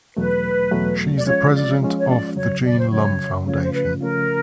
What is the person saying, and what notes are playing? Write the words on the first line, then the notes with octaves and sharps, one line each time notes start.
She is the president of the Jean Lumb Foundation.
E2 B2 F#3 A3 B4
E2 B2 F#3 A3
D5
F3 G#3 C#4 F4 C#5
D5
F3 G#3 C#4 F4
C#5
D5
F2 C#3 F#3 C#5
D5
C5
F2 C#3 F#3 C#5
C#3 F3 A3 C#4 F4 C#5
C5
B4
C#3 F3 A3 C#4 F4 A#4